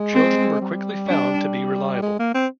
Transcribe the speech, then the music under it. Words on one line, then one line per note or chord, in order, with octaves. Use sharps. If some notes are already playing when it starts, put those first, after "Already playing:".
Children were quickly found to be reliable.
Already playing: G#3
C4
G3
D4
G#3
A#3
C4